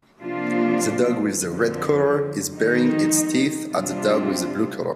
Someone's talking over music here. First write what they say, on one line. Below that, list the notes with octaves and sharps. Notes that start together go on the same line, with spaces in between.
The dog with the red collar is bearing its teeth at the dog with the blue collar.
C3 F3 A#3 D4 F4
F2 D3 F3
F2 D#3 G#3 D#4
C3 G3 D4 F4